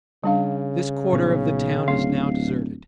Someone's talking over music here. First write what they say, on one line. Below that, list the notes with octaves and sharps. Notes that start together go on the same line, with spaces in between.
This quarter of the town is now deserted.
C#3 G3 D4 F5
B1 A#2 C#4
D1 F5 C6